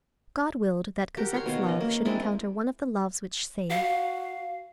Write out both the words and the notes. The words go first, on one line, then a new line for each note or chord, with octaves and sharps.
God willed that Cosette's love should encounter one of the loves which save.
F#4 G4 A#4
A#4 C#5 C6
B2 D#3 F5
C#4 D#5
A#3
G#3 C4 D4 E4
F#4 F5